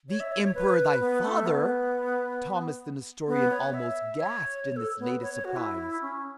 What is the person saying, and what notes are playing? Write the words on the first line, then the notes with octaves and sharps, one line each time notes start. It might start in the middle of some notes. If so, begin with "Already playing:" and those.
"The emperor thy father!" Thomas the Nestorian almost gasped in this latest surprise.
C#5
E5
C#5
C#5
B4
B3
A3
B3
B3
C#5
E5
C#5
C#5
A4
B3
C#5
C#5
F#4
E4
C#4